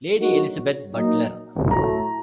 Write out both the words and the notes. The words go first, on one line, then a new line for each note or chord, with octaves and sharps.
Lady Elizabeth Butler.
F#3 A#3 D#4 F#4
F#3 A#3 D#4
A2 F#3 A3 A#5